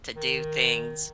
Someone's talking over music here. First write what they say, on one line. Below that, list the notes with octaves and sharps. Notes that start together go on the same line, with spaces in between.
to do things,
D#3